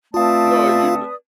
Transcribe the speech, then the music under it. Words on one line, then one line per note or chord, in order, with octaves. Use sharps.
No, you kno
A3 C4 F4 B4 D5 F5 A5 D#6